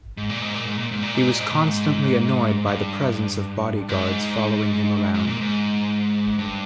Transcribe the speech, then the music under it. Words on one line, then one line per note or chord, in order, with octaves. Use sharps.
He was constantly annoyed by the presence of bodyguards following him around.
G#2
A#2
G#2
A#2
G#2
A#2
G#2
A#2
G#2
A#2
G#2
A#2
G#2
G2
G#2
G#2
A#2
G#2
G2